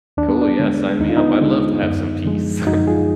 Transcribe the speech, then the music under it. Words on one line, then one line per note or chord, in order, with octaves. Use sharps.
Cool. Yeah, sign me up, I'd love to have some peace.
D#2 D4
B3
D4
D3 G#3
D#2 D#4
F4
B3 D#4
D3 G#3
F#2
D3 F3 G#3
F#2 D#4 F#4
F4 G#4